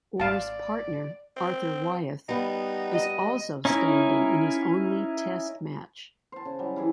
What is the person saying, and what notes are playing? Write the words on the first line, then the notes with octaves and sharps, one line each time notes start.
Orr's partner, Arthur Wyeth, was also standing in his only Test match.
G#1 D5 F5 A5
C4
G3 B3 D#4
D#5
C#4 D#4 E4 A#4
C5 A5
C#3
F#3 G3
E3 E4 G#4